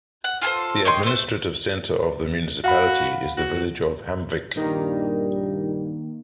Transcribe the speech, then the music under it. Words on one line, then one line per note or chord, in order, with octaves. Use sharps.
The administrative centre of the municipality is the village of Hamnvik.
F#5
F4 G#4 A4 C5
C#5 D#5 G5 C6
A3 C5
F#4 F5 F#5 B5
F#4
A#1 G2 D#3 G3 A#3 D#4 A#4